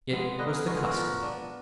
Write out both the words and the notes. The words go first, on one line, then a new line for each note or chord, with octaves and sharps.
It was the custom.
F3 G#3 B3
D3 B4 D#5
A#4
G#4 B4
F3 G#3 B3 F#4 A#4
F#4 A#4
F3
B3 D4